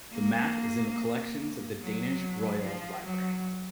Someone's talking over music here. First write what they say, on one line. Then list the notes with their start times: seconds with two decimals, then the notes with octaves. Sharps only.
The map is in the collections of the Danish Royal Library.
0.12 A#3
1.80 F#3
2.64 F3
3.05 F#3